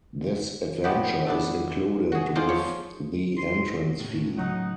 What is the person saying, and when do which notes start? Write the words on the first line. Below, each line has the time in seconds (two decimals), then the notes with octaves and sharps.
This adventure is included with the entrance fee.
0.84 B2 F3 B3 F#4 G4
1.26 A3 B3 D4
2.12 F#4 G#4
2.35 G#3 A#3 F4 G#4 C5 D5
2.49 F3 C#5
3.38 C6
4.00 A2 C#3
4.38 F#3 D#4 F#5 D#6